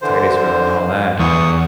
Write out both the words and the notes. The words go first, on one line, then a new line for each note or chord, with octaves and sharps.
Titusville and all that,
D3 E3 C5
E2 C#6 D#6